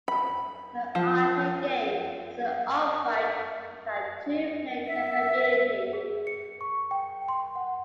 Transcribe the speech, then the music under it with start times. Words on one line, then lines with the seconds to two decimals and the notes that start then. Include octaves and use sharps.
The arcade game is an upright that had two player capability.
0.08 B5
0.95 F3
4.85 E5
5.93 G#4
6.27 C#7
6.61 C#6
6.91 G5
7.29 C6
7.56 F#5